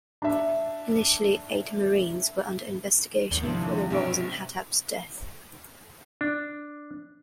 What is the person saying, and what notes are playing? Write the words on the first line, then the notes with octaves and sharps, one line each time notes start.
Initially eight Marines were under investigation for their roles in Hatab's death.
D4 E5
G#1 E2
C3 F3 D4 E4
D#2 D3
A#1 G2 B2 E5 D7
D4